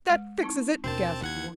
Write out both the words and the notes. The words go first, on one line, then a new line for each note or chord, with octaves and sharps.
"That fixes it!" gasped one.
G#3
C4 D#4 E4
D#2 B2 C4 D4 A#4 A5
D#2 E4 F#5 G#6